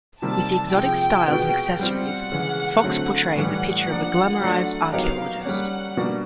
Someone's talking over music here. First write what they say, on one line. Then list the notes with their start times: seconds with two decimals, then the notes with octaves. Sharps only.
With the exotic styles and accessories, Fox portrays a picture of a glamorized archaeologist.
0.22 C3 D#3 G3 A#3 A5
0.74 C3 F3 G#3 G5
1.27 B2 G#3 B3
1.79 G3 C4 F4 F#5
2.32 C#3 E3 G#3
2.84 D3 F#3 A3 C4
3.36 A2 E3 G3 F#5
3.88 F3 A#3 D4
4.41 F#3 A3 D4 F4
4.92 F#3 B3 D#4 G4 A#4 F5
5.45 G3 A#3 C#4 F#5
5.97 B2 G3 A#3 D4